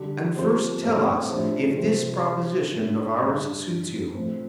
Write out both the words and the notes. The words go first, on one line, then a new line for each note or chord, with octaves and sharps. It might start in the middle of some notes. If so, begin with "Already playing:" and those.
And first tell us if this proposition of ours suits you.
Already playing: D3 G3 D4
F3 C4 G4 C5
A2 A3 C4 A4
A2 F3 D4 G4 C5
C3 F3 C4 A4
G3 F4 C5
A2 A3 D4
G2 G3 D4
G2 F3 D4
A2 F3 A3 C4